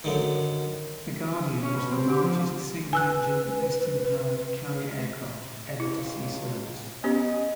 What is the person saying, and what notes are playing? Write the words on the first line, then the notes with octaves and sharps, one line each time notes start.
The Guardian was the largest single-engine piston-powered carrier aircraft ever to see service.
F#2 D3 D#3
C#4
B2
C4
G4
F3
B4 G#5 E6 F#6
C#2 E4
B3 C#4 G4 D#5